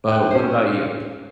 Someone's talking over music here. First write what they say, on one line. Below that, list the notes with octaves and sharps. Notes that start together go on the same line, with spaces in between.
But what about you?
G5 F#6
C#4 C5